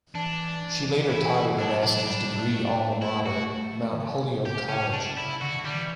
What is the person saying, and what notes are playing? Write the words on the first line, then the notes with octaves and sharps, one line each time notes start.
She later taught at her Master's degree alma mater, Mount Holyoke College.
E3 D4
E3 E4
F#3 D4
D4
G3
G3
A3
A3
E4
F#4
C#3
G4
C#4
D4
E4
D3 F#4
D3
G3
E3